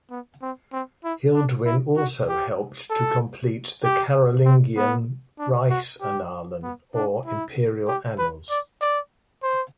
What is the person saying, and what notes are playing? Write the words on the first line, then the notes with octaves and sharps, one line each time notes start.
Hilduin also helped to complete the Carolingian "Reichsannalen", or imperial annals.
B3
C4
C4
E4
D4
E4
F#4
G4
A4
G4
C4
B3
D4
F#4
G4
B3
D4
E4
G4
B4
D5
D5
C5